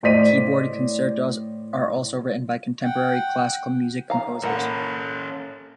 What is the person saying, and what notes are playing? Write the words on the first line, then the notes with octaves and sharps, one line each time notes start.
Keyboard concertos are also written by contemporary classical music composers.
A2 C5 D5 D#5 B6 D#7
F#5 G5
F5 A#5
A#3 C#4 A4 F#5